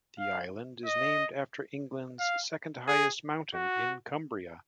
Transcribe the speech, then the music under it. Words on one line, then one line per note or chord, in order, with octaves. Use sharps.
The Island is named after England's second highest mountain, in Cumbria.
F5
D#5
F5
G#4
F#4